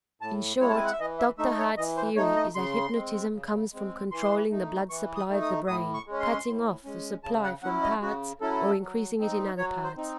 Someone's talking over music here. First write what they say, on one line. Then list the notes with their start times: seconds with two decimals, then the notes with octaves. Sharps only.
In short, Dr. Hart's theory is that hypnotism comes from controlling the blood supply of the brain, cutting off the supply from parts or increasing it in other parts.
0.21 A2 A5
0.60 G#3 C4 E4 C#5
0.70 A5
0.77 G#5
0.85 F#5
0.92 E5
0.99 E3 D#5
1.19 E5
1.38 A3 D#4 E5
1.58 C#5
1.77 E3 D#5
1.97 C5
2.16 A3 D#4 C#5
2.36 D#5
2.55 C#3 C6
2.94 G#3 C4
3.33 C#3
3.73 G#3 C4
4.12 E3 C6
4.50 A3 D#4
4.89 E3 C#6
5.16 D#6
5.29 A3 D#4
5.42 D#6
5.68 A2 D#6
5.94 C#6
6.07 G#3 C#4
6.20 C6
6.46 A2
6.84 G#3 C#4
7.24 C#3 A5
7.44 F#5
7.63 F#3 C#4 E4 F#5
7.82 D#5
8.01 C#3 F#4
8.41 F#3 C#4 E4 A4
8.80 F#3
9.19 C4 D#4
9.58 F#3 C#5
9.84 C5
9.97 C4 D#4